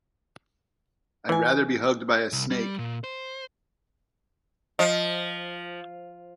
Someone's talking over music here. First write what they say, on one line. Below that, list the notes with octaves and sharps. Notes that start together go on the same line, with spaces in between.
I’d rather be hugged by a snake.
E3 D#5 G#5
C2
G3
A#2
C5
F3 D#5